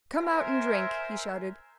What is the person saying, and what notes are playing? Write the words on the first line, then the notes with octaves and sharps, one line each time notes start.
"Come out and drink," he shouted.
A#4 C5 E5 G#5